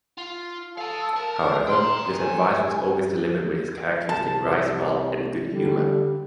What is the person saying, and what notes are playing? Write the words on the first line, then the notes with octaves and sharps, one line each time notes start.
However, this advice was always delivered with his characteristic wry smile and good humour.
F4
A4 F5 A5
A#4 A5
G5 A#5 C6
G#5
C2 A5
D3 G3